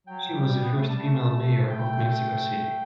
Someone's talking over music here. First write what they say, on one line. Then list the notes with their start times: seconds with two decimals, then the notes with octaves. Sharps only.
She was the first female Mayor of Mexico City.
0.07 F#3 G5
0.35 G3
0.62 B3
0.74 A3
0.87 G3 A5
0.99 A3
1.70 G5
2.52 A3